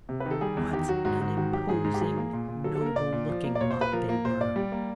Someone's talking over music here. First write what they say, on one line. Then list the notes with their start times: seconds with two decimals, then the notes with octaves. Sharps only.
What an imposing, noble looking lot they were.
0.09 C3
0.20 B4
0.26 D#3
0.31 A4
0.41 G3 G#4
0.57 E2
0.73 D#3 G4
0.88 F#3 F#4
1.05 G#2 F#4
1.20 G#2 F#4
1.37 D#3 F#4
1.52 F#3 G4
1.69 G#2 G#4
1.84 G#2
1.94 G4
2.00 F#3 G#4
2.17 A#3
2.33 A#2
2.48 A#2
2.64 F#3 A4
2.75 A4
2.81 A#3
2.86 A#4
2.96 A#2 D5
3.12 A#2
3.29 F3
3.44 A#3
3.55 D5
3.61 A#2 C#5
3.71 C5
3.77 A#2 B4
3.92 F3 A#4
4.09 A#3
4.25 A#2 C5
4.40 A#2 D5
4.56 G3
4.72 A#3